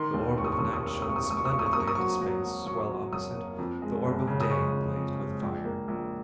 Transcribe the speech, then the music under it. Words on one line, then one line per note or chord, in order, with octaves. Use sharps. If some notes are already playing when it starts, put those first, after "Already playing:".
The orb of night shone splendidly into space, while opposite, the orb of day blazed with fire.
Already playing: D#3 C6
D#2
F1 C#6
D#6
C#6
D#2 D#6
C#6
D#6
C#6
A#3 D#6
C#6
D#6
F1 C#6
D#6
C#6
F1 D#6
C#6
D#6
F1 C#6
D#6
C#6
A#3 D#6
C#6
D#6
F#3 C#6
F#3
F#3
F#3 C#6
F#3
F#2 D#6
A#3
F2
G#3
F#1
C#3
D#6
G#3 C#6
F2
F2
G#3
A#1
A#3
A#1